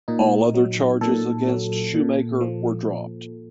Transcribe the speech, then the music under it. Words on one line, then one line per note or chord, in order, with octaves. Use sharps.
All other charges against Sheumaker were dropped.
A#2 D#4
F#3
A#2 A4
F#3
A#2
F3